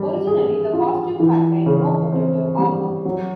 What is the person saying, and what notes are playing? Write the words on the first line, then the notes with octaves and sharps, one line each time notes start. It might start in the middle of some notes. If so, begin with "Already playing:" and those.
Originally the costume contained no protective armor.
Already playing: G3
G#4
F4
E3
C#3
C4
G3
F#3